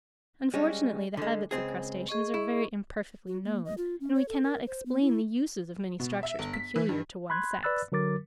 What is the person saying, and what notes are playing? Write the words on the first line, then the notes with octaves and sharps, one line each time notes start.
Unfortunately the habits of crustaceans are very imperfectly known, and we cannot explain the uses of many structures peculiar to one sex.
G3 G#3 C#4
D3 G#3
C#2 C4 G#4
G#4 D#5 C#6
E4
F#4
A#3
D#5
F4
C#4
C#5
A4
A#4
C5
B3
E4
B2
E5
G1
B6
E3
G2
B5 C6 F#6 G#6
B4 D5 B5 E6 F#6 A6
D3 F#3 A#4 D6 A6